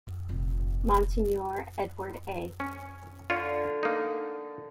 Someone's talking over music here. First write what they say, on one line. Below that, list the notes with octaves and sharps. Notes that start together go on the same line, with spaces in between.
Monsignor Edward A.
F1 A#1
C#4
D3 F4 C#5
A#3 D#4